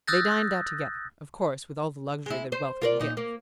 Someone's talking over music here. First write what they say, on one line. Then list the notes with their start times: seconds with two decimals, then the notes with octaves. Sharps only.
They dined out together,--of course with all the luxury that wealth can give.
0.07 D#6 E6 F#6 G6 A6 A#6
2.26 G#3 E4
2.52 C5
2.82 F4 A#4 D5
2.99 A#2 D#4
3.17 A#3